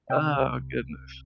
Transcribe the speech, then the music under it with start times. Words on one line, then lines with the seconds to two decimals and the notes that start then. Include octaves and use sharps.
Oh, goodness.
0.09 C3 G5
0.37 C2